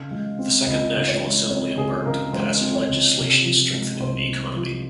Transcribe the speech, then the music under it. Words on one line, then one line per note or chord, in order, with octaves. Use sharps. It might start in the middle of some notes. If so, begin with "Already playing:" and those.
The Second National Assembly embarked on passing legislation strengthening the economy.
Already playing: C#3 F5
G#3
C4
C#2 D#5
C#3
C#5
G#3
C4 C#5
C#2 G#4
C#3 A#4
G#3 C5
C4
C#5
C#2
C3
F3
G#3
C2 C5
C3
F3